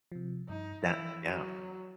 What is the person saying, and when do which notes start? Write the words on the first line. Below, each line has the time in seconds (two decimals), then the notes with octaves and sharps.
That Yeah.
0.12 C3 F3
0.49 G2 D#4
0.85 E3 E4
1.23 F#3